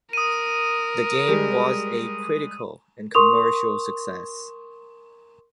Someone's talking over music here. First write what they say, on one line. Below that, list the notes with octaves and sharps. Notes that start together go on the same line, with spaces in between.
The game was a critical and commercial success.
A#4 D#6 D#7
G3 G#3
A#4 C6 C#6 D#6 F7